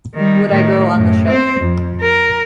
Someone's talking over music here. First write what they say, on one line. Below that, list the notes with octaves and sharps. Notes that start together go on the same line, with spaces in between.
Would I go on the show?
D#3 G3
A2 D#3
F#2 A2
C4 C5
F2
A#4